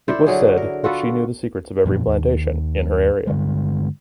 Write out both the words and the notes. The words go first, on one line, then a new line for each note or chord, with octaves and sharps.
It was said that she knew the secrets of every plantation in her area.
D4 E4 A4 C5
D3 F#3 G#4
A#4
F4 F#4 A4 B4
F#2 A#2 F3
D#2
G2 D3 G#3